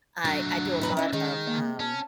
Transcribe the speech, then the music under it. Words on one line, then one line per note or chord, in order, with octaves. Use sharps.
I I do a lot of, um,
F#3 A3 D4 F#4
B2 B4 A#5
C#4 D#4 E4
D#3 G#3
A#3
C#4 A5